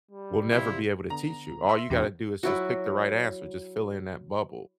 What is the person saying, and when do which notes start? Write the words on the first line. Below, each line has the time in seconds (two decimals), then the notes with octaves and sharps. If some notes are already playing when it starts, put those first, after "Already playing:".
will never be able to teach you. All you gotta do is just pick the right answer, just fill in that bubble.
0.11 G3
0.51 C3 F3 E4
1.10 D3 B3 A#5
1.69 E5 C6
1.90 E2 B2 D4 F#4 G5
2.43 F#3 E4 F#4